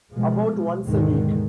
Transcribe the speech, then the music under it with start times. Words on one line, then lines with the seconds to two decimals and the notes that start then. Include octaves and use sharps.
About once a week.
0.12 B2 F3 G#3
0.83 D#2 G#2 B2 D3 D#3 G#3